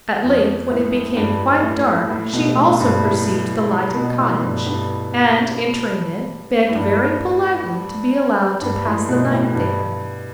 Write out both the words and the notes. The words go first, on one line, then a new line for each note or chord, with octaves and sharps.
At length, when it became quite dark, she also perceived the lighted cottage, and entering it, begged very politely to be allowed to pass the night there.
F2
A2
G2
A2
A2
B2
A2
G2
A2
B2
A2
G2
G2
A2
G2
G2
A2
B2
A2
G2